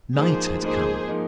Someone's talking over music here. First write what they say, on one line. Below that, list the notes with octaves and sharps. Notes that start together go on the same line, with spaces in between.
Night had come.
G#2 F3 A#3 D#4 G#4 C5
G#2 F3 A#3 D#4 G#4 C5
F3 A#3 D#4